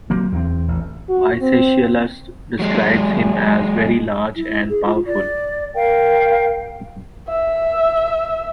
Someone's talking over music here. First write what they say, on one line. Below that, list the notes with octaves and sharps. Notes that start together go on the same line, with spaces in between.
Aeschylus describes him as very large and powerful.
F#3 A#3 C4
E2 C4
A1
F#4
C4
F#3 G#3
E4
G#4
F4
D5
A#4 F5 G5
E5